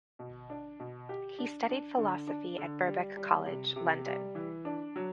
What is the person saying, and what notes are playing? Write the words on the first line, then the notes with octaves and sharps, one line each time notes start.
He studied philosophy at Birkbeck College, London.
B2
D4
B2
G4
D4
D4
D3
D4
D3
G3
G3
C3
C3
G3
E3
D4
F#3